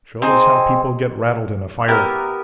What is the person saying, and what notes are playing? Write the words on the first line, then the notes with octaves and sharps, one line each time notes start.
Shows how people get rattled in a fire.
C4 D#4 G#4 C5
B3 E4 G4 A#4